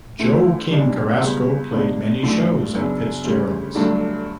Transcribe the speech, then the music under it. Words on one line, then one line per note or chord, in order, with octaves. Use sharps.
Joe King Carrasco played many shows at Fitzgerald's.
D2 D3 A3 E4
B1 B2 G3 D4
C#2 C#3 G3 B3
C#2 B2 G3 B3 D4
A1 A2 F#3 A3 D4
F#2 C#3 F#3 B3 D4
D2 C#3 G3 C#4
G1 G2 F#3 A3 D4